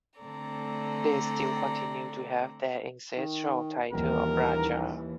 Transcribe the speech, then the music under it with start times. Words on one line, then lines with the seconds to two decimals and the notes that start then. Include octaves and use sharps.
They still continued to have their ancestral title of Raja.
0.20 D3 A3 C4 A4 D5 A#5
3.17 D#3
3.92 D#1 D#2 E3 A#4